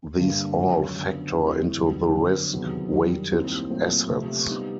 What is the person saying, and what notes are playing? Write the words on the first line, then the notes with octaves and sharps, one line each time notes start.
These all factor into the risk weighted assets.
G2 D3 G3 A#3
F#2 C#3 F3 G#3 C#4
D3 F#3 B3
E3 A3 C4 E4 G#4
F#2 D3 G3 B3 D#4
F2 D3 F#3
E2 C3 D#3 F#3 B3
F#2 D#3 G3
D#2 D#3 G3 C4 E4
A#2 F#3 A3 C4
C3 F3 A3
G3 B3 D#4 G4